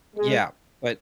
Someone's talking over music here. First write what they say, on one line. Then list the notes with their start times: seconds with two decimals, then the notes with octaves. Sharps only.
Yeah, but
0.16 G#3